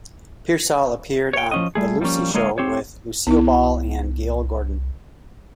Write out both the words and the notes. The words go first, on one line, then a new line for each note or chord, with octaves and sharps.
Piersall appeared on "The Lucy Show" with Lucille Ball and Gale Gordon.
C#5 G5
F3 C#4 D#5
G3 A3 G#4
F3 G3 A3 A#3 C#4
D3 G#3 A#3 C#5 D#5 F5
C4 G4 C5 C#5
C2 B3 E4